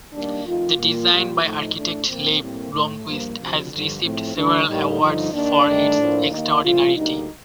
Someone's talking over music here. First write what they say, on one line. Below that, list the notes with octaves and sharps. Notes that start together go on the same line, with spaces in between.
The design, by architect Leif Blomquist, has received several awards for its extraordinarity.
D#2 D#3 G3 A#3 D4
F2 D#3 A3 F4
A#2 G3 A#3 F4
A#2 G3 A#3
A2 F3 A3 D#4
A2 A3 D4
A#2 F3 A#3 C4
A2 G3 A#3 C4
A2 A3
G2 F3 A#3
D2 C3 F3
G2 D3 F3
A2 F3 A3 C4
D2 D3 G3 D4
A2 G3 A#3 D#4
G2 D3 F3
D#2 D#3 A#3 D4
G2 D#3 A3
A2 F3 A#3
D#2 D#3 A#3 D#4
C2 A#2 F3 A3 F4
D2 D3 G3 A#3 D#4